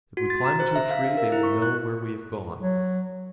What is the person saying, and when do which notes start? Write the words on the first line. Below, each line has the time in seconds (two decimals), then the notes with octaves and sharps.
If we climb into a tree they will know where we have gone.
0.17 F#4
0.30 A6
0.45 A#5
0.60 C5
0.76 E5
0.91 F5
1.04 E5
1.17 A#4
1.32 E4
1.43 C#6
1.62 F#6
2.60 F#3